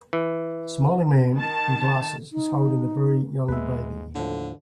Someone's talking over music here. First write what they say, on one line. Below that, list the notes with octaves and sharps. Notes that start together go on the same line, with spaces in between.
A smiling man in glasses is holding a very young baby.
E3
D#3 A5
D#4
D#2 G#3 A#3 B4 E5
B1 A2 D3 F3